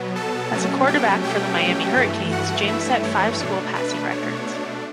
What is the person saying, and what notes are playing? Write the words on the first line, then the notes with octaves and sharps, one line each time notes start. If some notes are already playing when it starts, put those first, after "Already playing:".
As a quarterback for the Miami Hurricanes, James set five school passing records.
Already playing: B2 F#3 B3
A4 A5
B2 F#3 A3 C#4
G4 G5
G4 G5
G2 E3 A3
F#4 F#5
E4 E5
C#5
B2 A3 D4
B4
C#5